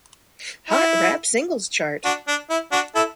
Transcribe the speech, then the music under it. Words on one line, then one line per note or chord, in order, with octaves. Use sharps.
Hot Rap Singles Chart.
E4
D4 F#4
D4
E4
D4 F#4
E4 A4